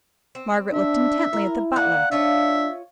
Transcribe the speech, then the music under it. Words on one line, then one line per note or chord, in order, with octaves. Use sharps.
Margaret looked intently at the butler.
C4
D4 E5
E4 A#4
A#3 D5 F#5
D4 F4 C#5 D#5 E5